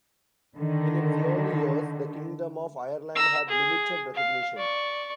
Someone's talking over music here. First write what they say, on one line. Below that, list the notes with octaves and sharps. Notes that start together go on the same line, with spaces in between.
In its early years, the Kingdom of Ireland had limited recognition.
D3 D#3
A#5 E6
G#4
F5
D5 C#6